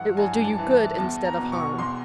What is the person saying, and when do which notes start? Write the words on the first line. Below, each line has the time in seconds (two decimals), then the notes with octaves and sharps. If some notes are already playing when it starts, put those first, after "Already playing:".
'It will do you good, instead of harm.
Already playing: G2 E3 F#5
0.17 G2 G#5
0.44 A5
0.58 E3
0.71 A5
0.98 E2 A5
1.25 A#5
1.38 B2
1.52 C#6
1.78 E2 C6